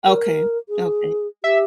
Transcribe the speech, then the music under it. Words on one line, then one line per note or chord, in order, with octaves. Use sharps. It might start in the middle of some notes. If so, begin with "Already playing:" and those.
Okay, okay.
A#4
G#4
G4 E5